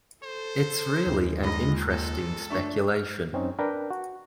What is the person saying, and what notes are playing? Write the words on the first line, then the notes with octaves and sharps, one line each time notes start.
It’s really an interesting speculation.
A4 C5
D#2 G#3 F4
C#2 D#5 B5 A#6
A4
A3 D4 C#6
F6
F#2 C4 C#4 D#4
D4 A#4 B4 G5
F#4